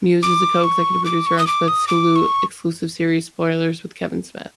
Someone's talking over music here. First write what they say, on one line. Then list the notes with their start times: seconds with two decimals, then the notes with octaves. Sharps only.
Mewes is co-Executive Producer on Smith's Hulu-exclusive series "Spoilers with Kevin Smith".
0.23 D6
0.64 C#6
1.06 D6
1.26 C#6
1.39 D#6
1.47 D6
1.68 D#6
1.88 D6
2.16 C#6